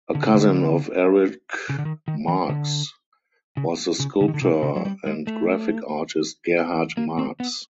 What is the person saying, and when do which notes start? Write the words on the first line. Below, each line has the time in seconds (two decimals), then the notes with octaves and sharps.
A cousin of Erich Marcks was the sculptor and graphic artist Gerhard Marcks.
0.15 D3
0.25 C#3
0.34 D3
1.69 C#3
1.78 D3
1.85 D#3
2.08 D#3
2.28 E3
2.49 D3
3.57 C#3
4.00 C#3
4.21 D3
4.28 D#3
4.34 D3
4.42 C3
4.63 C#3
4.76 F#3
4.85 G3
5.06 G#3
5.27 A3
6.97 A#3
7.19 C4
7.40 B3